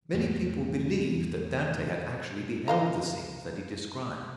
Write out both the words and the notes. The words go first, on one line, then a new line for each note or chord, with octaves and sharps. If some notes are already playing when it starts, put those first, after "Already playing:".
Many people believed that Dante had actually beheld the scenes that he described.
E2 G#2 C3 A3
D#5 F5 A#5